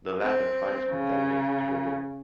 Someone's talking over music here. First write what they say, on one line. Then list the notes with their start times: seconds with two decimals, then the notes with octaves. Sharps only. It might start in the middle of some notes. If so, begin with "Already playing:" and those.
The latter hides contaminated rubble.
0.22 C4
0.90 C#3